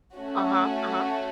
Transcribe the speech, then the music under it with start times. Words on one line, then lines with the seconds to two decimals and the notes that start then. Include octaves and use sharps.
Uh-huh. Uh-huh.
0.15 A3 C#4 F#4